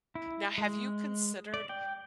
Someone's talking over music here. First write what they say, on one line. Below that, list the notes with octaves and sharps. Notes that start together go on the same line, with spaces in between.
Now, have you considered
E4
G#3
D5
G5